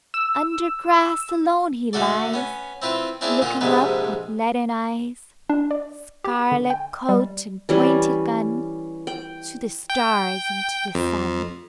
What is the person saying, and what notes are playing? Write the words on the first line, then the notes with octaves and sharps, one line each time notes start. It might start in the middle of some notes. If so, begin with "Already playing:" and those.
Under grass alone he lies, Looking up with leaden eyes, Scarlet coat and pointed gun, To the stars and to the sun.
E6
D3 A3 F#4 A4 D5
B3 C#4
C4 E4 F4 B4
C4 D4 E4 G#4 D5 F5
A#2 D3 A#3 F4
A#1 G#2 C3 G#3 D4 B4
D4
D5
G4
D3
G5
G3
E3 G3 C#4
G5
G5
F2